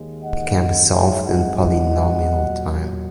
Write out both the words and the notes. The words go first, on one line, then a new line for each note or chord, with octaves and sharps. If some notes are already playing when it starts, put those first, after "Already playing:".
It can be solved in polynomial time.
Already playing: D#2 D#3 G#3
D#5 F#5
G#2 F#3 C#5 E5
D#5 F#5
D#5 F#5
A#2 F#3